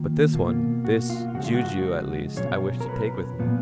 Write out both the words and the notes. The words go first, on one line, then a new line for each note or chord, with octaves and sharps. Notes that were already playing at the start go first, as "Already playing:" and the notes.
But this one, this Jijiu at least, I wish to take with me.
Already playing: D#3 A#3 F4
B2 A#3 F4
F#4
F4
C#3 F3 G#3 F#4
F4
F#4
B2 F#3 C#4 F4 C#5
A#4
B4
A#2 F3 B3 F4